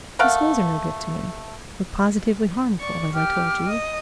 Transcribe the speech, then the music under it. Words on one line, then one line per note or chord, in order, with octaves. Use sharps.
The schools are no good to me, but positively harmful, as I told you.
A3 A#4 F5 F#5
D5 C#6
G4 G5 D6 F6
D#5